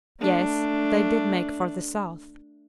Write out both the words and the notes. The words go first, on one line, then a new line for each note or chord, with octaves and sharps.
Yes, they did make for the south!
A3 D4